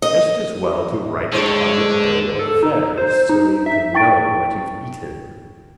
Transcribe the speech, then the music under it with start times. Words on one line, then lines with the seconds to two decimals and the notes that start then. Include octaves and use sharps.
Just as well to write it on the bill of fare so you can know what you've eaten.
0.02 D#5
1.32 G2 D3 G#3 C5 C#5
2.39 A4
2.63 D#4
2.97 C5
3.29 D#4
3.66 E5
3.94 E4 G5 C#6 A6 D7